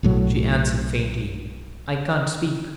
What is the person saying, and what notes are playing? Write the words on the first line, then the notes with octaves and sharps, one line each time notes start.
She answered faintly: "I can't speak!"
B1 A2 F#3